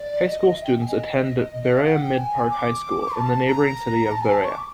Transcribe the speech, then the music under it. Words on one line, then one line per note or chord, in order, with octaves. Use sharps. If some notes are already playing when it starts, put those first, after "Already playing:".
High school students attend Berea-Midpark High School, in the neighboring city of Berea.
Already playing: D5
D#5
E5
G5
G#5
D#5
D#5
D#5
F5
F#5
G5
G#5
D6
A5
A#5
A5
G#5
A5
C#6
D6